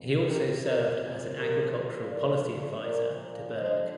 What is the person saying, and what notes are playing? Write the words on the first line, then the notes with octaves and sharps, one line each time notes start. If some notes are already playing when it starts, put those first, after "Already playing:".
He also served as an agricultural policy advisor to Berg.
Already playing: F2 D#3
G4 A#4
F2 C3 F3 A#4 D5
A#2 F3 G4 A#4
G2 F3 A#4 D5
A#2 F3 A#4 D5
G2 D3 F3 C5 D#5